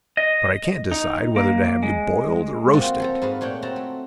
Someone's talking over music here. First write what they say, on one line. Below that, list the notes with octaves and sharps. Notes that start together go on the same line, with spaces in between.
But I can't decide whether to have you boiled or roasted.
D#5
D#4
A#3
G#3
A#3 C4 F4 F#4 A4 A#4
F3 A4 A#5
G#2 F#4 B4 F5
A#2 A3 C#5 F#5 G5
C4 F#4 A5 A#5
A3